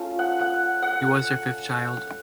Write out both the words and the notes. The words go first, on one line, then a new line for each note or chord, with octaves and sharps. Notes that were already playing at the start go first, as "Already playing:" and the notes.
He was their fifth child.
Already playing: A3 C#4 F4
F#5
F#5
F#5